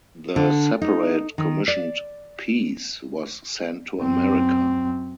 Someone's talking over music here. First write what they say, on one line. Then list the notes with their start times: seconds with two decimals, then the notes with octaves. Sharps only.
The separate commissioned piece was sent to America.
0.36 D3
0.82 D#4
1.38 D#3
1.68 D5
4.01 F#2 C4